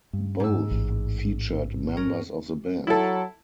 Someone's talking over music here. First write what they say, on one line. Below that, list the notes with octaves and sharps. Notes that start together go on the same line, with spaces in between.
Both featured members of the band.
G2
G#2 E6
A1
C#4 A#4
F#3 E4 A4